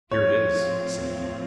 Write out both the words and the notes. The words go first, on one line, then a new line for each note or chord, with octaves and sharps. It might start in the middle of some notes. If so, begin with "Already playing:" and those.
"Here it is," said he.
A2 F3 C4 F4 C#5